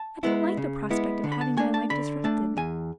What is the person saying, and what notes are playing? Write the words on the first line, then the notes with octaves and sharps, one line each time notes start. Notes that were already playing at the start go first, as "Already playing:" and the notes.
I don't like the prospect of having my life disrupted.
Already playing: A5
G#3 B3 E4
C#3
G#3 B3 E4
D3
B5
A5
A3 D4 G#5
A5
D3 B5
A3 D4 A5
E2 G#5